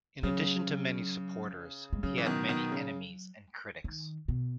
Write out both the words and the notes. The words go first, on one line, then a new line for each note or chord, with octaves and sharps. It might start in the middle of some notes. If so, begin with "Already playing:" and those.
In addition to many supporters, he had many enemies and critics.
C#3 F#3
G#3
C#3 F#3
E3
B2 D#3
B2 D#3
C#3
D#3
B2